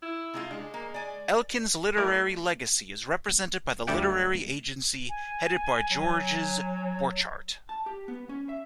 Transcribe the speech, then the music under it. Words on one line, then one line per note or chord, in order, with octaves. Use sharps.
Elkin's literary legacy is represented by the literary agency headed by Georges Borchardt.
E4
C3 G#3 F4
G#3 D4
A#3
D5 G#5
A3 E4 A#4 D5
D2 G3 D5 E5 F#5 G5
G#5
F#3
A5
G4
B3
C#4
E5